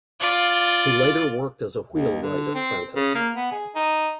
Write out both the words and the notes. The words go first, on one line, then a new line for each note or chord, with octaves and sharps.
He later worked as a wheelwright apprentice.
F4 D5
D#2
D3
C4
C#3
A#3
B3
G#4
D#4